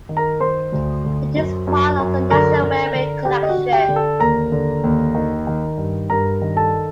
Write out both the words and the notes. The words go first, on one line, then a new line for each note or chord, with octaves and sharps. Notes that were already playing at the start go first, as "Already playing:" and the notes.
It is part of the National Railway Collection.
D#3
A#4 A#5
D#3 C5 C6
D2
D2
F#2
F#2
F#2
D3 A#4 A#5
D3
D3
D3 G4 G5
D#5
F#4 F#5
D3
G4 G5
D3
A4 A5
D#2 A#4 A#5
D3
D#2
D#3
D#3
G2
G2 A#4 A#5
D#3
A4 A5